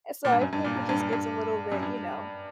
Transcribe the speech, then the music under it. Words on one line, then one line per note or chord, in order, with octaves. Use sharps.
So, I feel like it just gets a little bit, you know,
A#2
G2
F#2
G2
A#2
G2
G2
G2
G2
F#2
G2